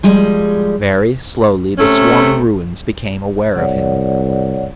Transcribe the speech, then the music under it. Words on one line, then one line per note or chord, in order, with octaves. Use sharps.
Very slowly the swarming ruins became aware of him.
F3 G3 G#3
C3 A3 C#4
C2 C#5 D5 F#5